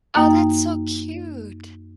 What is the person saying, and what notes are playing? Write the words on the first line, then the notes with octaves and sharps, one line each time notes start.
Oh, that's so cute.
F#2 A#3 D#4 G5